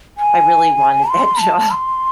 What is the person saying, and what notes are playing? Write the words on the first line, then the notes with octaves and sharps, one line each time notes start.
"I really wanted that job,"
G#5
C6
A5
C6